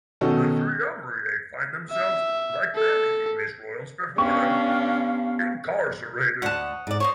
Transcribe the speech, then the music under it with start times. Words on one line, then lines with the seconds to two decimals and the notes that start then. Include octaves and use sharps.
The Triumvirate find themselves-like many English Royals before them-incarcerated.
0.21 B2 D#3 C#4 D#4 F#4 A4
1.91 E5
2.75 A4
4.18 B3 C#4 D4 G4 F5 G5 C#6
6.42 D2 C#5 D#5 F#5 A5
6.87 G#2 D5
7.00 D#4 C5 C#5 C#6